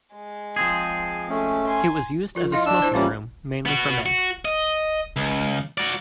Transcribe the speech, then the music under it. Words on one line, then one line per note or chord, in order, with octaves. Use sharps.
It was used as a smoking room mainly for men.
G#3
F3 C4 G#4
A3 C#4
G#5 C6
F3 F4 A#4
E4 F4 D#5 F5
D4 E6
E4 C5
E3 G3 A#3 C#4 F4 C#5
B3 F#4
F#4
D#5
C#2
F#4 D5